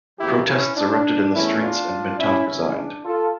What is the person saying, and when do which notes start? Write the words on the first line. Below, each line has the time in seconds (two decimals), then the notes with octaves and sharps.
Protests erupted in the streets and Mintoff resigned.
0.19 E2 C#3 F3 A#3 E4 G4
0.48 C#4 E4
0.77 D4
1.33 E2 E3 A3 C#4 E4
1.62 D4 F4
2.18 C#4 E4
2.47 C#2 C#3 E3 C#4 E4
2.76 D4
3.04 F4 A4